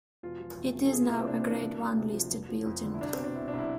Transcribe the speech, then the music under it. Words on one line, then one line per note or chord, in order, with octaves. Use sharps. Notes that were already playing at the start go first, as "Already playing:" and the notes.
It is now a Grade One listed building.
E1 F4
F3
E2
C3
A4
C2 G#4
F4
C2 E4
C4
C3 D4
C4
E3
D4
D2 D4
D2
C3
F3
F1
F3
F2
D3
E4
C2 D4
C4
B2
D4
B2 E4
D4
C2 E4